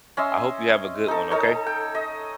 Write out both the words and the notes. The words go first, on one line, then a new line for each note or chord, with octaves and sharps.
I hope you have a good one, okay?
C#4 D#5 E5 C6
D#4 A4
D#4 A4 C#5
G5
D#5